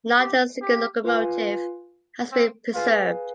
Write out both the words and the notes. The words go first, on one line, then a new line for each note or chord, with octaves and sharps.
Not a single locomotive has been preserved.
G4
G4
F4 B4 F5 G#5
C4
F4 G#4 B4 F5 G#5